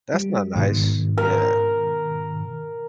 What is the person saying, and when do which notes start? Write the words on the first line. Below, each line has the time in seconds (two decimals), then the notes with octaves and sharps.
That's not nice. Yeah.
0.14 G3
0.56 G#2 B2 D#3
1.18 A#4